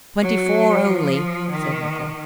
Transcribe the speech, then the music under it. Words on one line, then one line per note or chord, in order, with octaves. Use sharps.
"Twenty-four only," said Nicholl.
F#3
F3
D#3